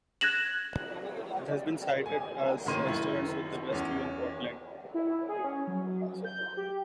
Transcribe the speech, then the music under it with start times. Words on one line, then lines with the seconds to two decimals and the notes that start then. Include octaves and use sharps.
It has been cited as the restaurant with the best view in Portland.
0.21 F#6 G#6 A#6 E7 F#7
2.06 G#5
2.66 A2 D#3 A#3 C6 D#7
2.85 F#2 D#3 E4
3.73 E2 C#4
4.94 E4
5.28 G#4
5.44 C#4
5.67 F#3
6.25 G6
6.57 G4